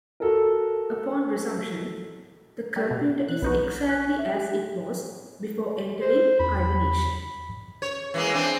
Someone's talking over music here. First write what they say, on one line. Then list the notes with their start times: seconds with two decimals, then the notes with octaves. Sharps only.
Upon resumption, the computer is exactly as it was before entering hibernation.
0.20 F#4 A4 A#4
2.76 G3
2.91 B2
3.28 E3 F#6
3.42 B1 D#4 F#4 B4
3.89 F#6
4.19 E5
4.35 G4
6.01 C5
6.39 E2 B5
7.82 C#5
8.14 E3 G#3 A#3
8.34 C4 D4